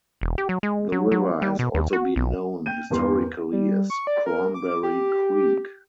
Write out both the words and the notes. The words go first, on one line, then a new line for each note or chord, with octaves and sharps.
The river has also been known historically as Cranberry Creek.
E1
G4
F#3
G#3
F#3
F#3
G3
B2
D#2
F#4
B1
G5 G6 D#7
G1 E2 A#3 G4 A#4 C6
G3
C#6
D5
A#4
D6
G4